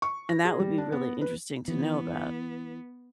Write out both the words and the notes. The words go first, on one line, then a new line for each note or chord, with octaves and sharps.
and that would be really interesting to know about.
C#6
A#6
G#4
G3
D4
B3
B4
E3 B3